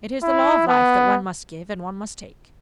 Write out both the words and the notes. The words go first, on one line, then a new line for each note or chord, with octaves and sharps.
It is the law of life that one must give, and one must take.
E4
B3